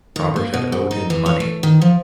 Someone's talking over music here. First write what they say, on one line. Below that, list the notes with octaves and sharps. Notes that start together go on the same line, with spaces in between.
Robert had owed him money.
D#3
A#3
B2
G#2
D#4
E3
C#5
A3
D#3
F3